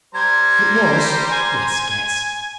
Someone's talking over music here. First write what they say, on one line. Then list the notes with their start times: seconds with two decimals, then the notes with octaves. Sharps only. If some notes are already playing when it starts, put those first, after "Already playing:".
It was--yes, guess!
0.15 G3 C5 A#5 G#6
1.30 G#5